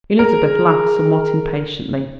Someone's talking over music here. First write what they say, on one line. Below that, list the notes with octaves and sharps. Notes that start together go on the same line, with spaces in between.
Elizabeth laughed somewhat impatiently.
G#4 A#4